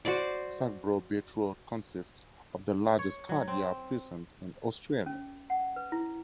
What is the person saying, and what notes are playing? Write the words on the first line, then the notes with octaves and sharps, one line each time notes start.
Sacbrough Beach Road consists of the largest car yard precinct in Australia.
F#4 C5 D5 D6
C#5
F#3
C4
C#4
F#5
B4
E4